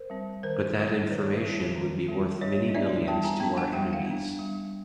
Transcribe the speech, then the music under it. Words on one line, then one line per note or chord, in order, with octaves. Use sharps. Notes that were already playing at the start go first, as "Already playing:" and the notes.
But that information would be worth many millions to our enemies.
Already playing: A#4 C5
G3 C4
D#3 A#4 C5
G3 C4
D#3 B4 C#5
G3 C4
D#3
G3 C4
G3 C#5 D#5
D#5
B3 D4 D5 E5
G3 G5 A5
G#5 A#5
B3 D4 G5 A5
F#5 G#5
G3 G5
F#5
F5 G5
B3 D4
G3